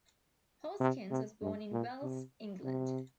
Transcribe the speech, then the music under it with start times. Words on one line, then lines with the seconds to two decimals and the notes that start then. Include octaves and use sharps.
Hoskins was born in Wells England.
0.80 C3
1.11 C3
1.42 G2
1.72 A#2
2.03 C3
2.63 C3